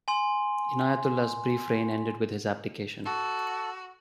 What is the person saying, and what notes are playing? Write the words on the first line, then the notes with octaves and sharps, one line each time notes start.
Inayatullah's brief reign ended with his abdication.
G#5 C6
F#4 A4